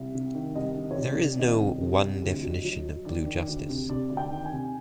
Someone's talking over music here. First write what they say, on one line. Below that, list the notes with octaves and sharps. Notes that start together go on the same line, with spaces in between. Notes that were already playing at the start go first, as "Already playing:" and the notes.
There is no one definition of Blue Justice.
Already playing: C2 E5
C3
D#3
C2 D#5
D#3
C#5
C3 D5
C3
D#3 D#5
C2
C3
C2
D2
F#3
F#3
F#3
D#3 D5
D#3
D2
C3
C3 D5
D2
G5
D#3
G#5
C3